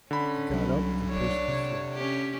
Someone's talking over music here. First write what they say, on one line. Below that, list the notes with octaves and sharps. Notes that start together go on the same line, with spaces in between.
He got up and paced the floor.
D3 C#4 B5
C2 F#3
D4 C#5
C3
C#4 G4